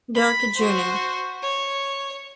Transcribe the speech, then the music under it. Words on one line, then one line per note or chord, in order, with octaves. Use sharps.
Durkee Jr.
B5
F#4 C5
C#5